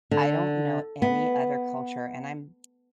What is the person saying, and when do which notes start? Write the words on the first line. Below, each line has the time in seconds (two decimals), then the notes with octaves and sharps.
I don't know any other culture and I'm
0.11 D3
1.02 B3